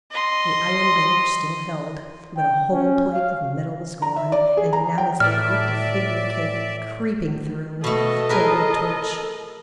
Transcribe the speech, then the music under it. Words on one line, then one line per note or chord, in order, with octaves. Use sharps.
The iron door still held, but a whole plate of metal was gone, and now as they looked a figure came creeping through, holding a torch.
D#5 C6
G5
C#4
F5
A#5
E5
D5
G#4
A#5
G5
A2 D5 E5 F6
B2 A3 A4 D#5
G#4 A#4 B4